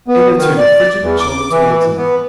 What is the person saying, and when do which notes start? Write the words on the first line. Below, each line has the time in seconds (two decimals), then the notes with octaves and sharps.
Ada turned a frigid shoulder towards him.
0.08 B3
0.37 D#3
0.58 D5
1.02 E2
1.20 D6
1.51 E3
1.98 B3